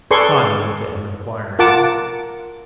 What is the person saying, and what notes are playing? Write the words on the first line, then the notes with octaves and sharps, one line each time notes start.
Sonia looked at him inquiringly.
G#4 A4 B4 D5 C6 C#6
F4 A#4 F#5 A5 D6